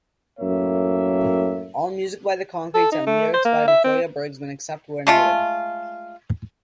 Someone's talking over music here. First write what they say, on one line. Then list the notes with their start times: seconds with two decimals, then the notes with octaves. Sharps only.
All music by The Concretes and lyrics by Victoria Bergsman, except where noted.
0.40 F#2 A2 A#3 C#5 E5
2.74 A4
2.92 D#4
3.07 A3
3.34 C5
3.45 A#3
3.68 E5
3.84 C4
5.07 G#3 A3 F4